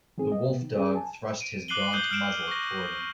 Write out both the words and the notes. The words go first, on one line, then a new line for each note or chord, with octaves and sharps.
The wolf-dog thrust his gaunt muzzle toward him.
D#3 E3 C4 G#4
D#5
B2 B3
D#3
C#4 G#4
G#5 A5
D7 D#7
D6 F#6 C7 D#7 F#7 G7
D#6 F#6 G6 C7 D#7 G7
F6 F#6 D7 E7
C#6 A#6